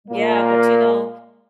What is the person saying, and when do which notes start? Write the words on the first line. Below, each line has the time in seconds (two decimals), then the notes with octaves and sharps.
Yeah, but, you know,
0.11 A#2 A#3